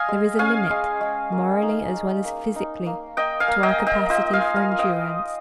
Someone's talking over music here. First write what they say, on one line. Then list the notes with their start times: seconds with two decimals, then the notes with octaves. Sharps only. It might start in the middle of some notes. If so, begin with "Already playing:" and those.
There is a limit, morally as well as physically, to our capacity for endurance.
Already playing: D#5 F5 G#5
0.08 G#3
0.39 C#4 F5 G#5
0.70 G#3
1.01 G#3
1.32 A#3
1.62 D#4
1.93 D#4
2.25 A#3
2.56 D#4
2.86 A#3
3.17 A#3 D#5 G5
3.40 F5 G#5
3.48 A#3
3.63 D#5 G5
3.79 A#3
3.87 D#5 G5
4.10 F4 D#5 G5
4.33 F5 G#5
4.41 F4
4.56 F5 G#5
4.71 F4
4.79 D#5 G5